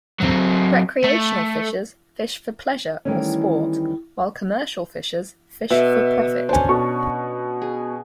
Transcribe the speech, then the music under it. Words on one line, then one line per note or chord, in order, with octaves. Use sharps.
Recreational fishers fish for pleasure or sport, while commercial fishers fish for profit.
F#3 C4
A3
D#3 E3 G3 A3 C#4
B2 E5
C#4 D4 C5 G#5
B2 C#6
G#4